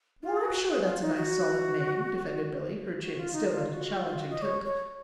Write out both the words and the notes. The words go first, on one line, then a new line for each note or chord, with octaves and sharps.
"Well, I'm sure that's a nice, solid name," defended Billy, her chin still at a challenging tilt.
F4
G#4
F#4
G#4
F4
D#4
F#4
F#4
F4
D#4
F4
F#4
F4
F4
F#4
D#5
C#5
C#5